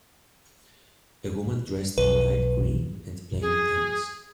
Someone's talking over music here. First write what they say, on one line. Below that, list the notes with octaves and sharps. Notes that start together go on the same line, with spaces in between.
A woman dressed in light green and playing tennis.
B1 B4
G#4